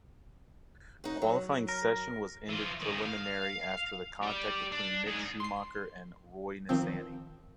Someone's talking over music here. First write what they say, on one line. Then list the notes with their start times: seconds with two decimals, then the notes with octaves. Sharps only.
Qualifying session was ended preliminary after the contact between Mick Schumacher and Roy Nissany.
1.04 D#4 F#4
1.22 F#3
1.69 A#4
2.49 E3 F4
2.81 A2 D#3
3.05 F5
4.22 G4 D5
4.72 D4
5.06 G#2 G#4
5.40 C6 C7
6.69 D#3 F3 C4